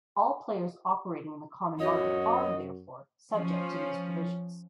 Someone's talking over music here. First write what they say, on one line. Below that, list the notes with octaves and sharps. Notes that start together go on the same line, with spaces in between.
All players operating in the common market are therefore subject to these provisions.
F#2 F#4 C#5 D#5
F3 C#4